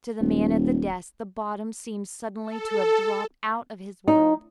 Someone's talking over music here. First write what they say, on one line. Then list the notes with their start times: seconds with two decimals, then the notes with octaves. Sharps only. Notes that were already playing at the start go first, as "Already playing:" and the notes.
To the man at the desk the bottom seemed suddenly to have dropped out of his world.
0.21 D#1
2.44 A4
4.08 D#4